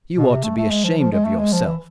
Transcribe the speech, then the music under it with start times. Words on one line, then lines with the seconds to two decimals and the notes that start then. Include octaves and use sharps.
You ought to be ashamed of yourself.
0.17 B2
0.30 C3
0.44 A3
0.57 A3
0.71 G#3
0.84 F3
0.98 F3
1.12 G#3
1.25 A3
1.39 G#3
1.53 F3
1.66 E3